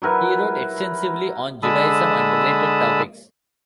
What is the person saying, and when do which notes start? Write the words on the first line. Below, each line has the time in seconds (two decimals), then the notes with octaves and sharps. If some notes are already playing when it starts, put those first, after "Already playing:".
He wrote extensively on Judaism and related topics.
0.02 F#3 E4 A#4 B4
1.63 D3 G#3 A5 B5 D#6 E6